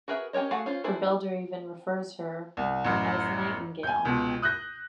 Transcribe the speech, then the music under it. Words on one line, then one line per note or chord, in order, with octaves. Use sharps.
Her builder even refers to her as nightingale.
F#4 G#4 A#4 B4 E5
C#4 G4 A#4 C#5 D#5
A3 F#4 G#4 F5 F#5
C#4 F4 C5
D4 E4 G#4 B4 C5
C2
A1 F#2
G#5 G6
C#2 B2
D#6 F#6 G6 A#6